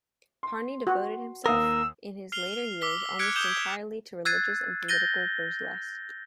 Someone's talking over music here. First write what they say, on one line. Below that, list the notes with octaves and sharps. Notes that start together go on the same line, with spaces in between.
Parny devoted himself in his later years almost entirely to religious and political burlesque.
C6
F#4
D#2 A#4 F5 D#6 E6
F6 C7 F7 G7
D6 E6 B6 G7
F6 F#6 G#6 B6 C#7 D7
D#6 G6 E7 F7 G7
E6 F#6 G#6 A6 C7 D#7
G6 A6 A#6 D#7 G7